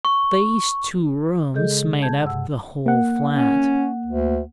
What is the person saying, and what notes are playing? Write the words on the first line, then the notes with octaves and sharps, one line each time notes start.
These two rooms made up the whole flat.
C#6
C#3 G#3 G#4 A4 D#5 G6
A5 G6 G#6
G2 C3 F#5 E6
A#3 F#5
C#4
D2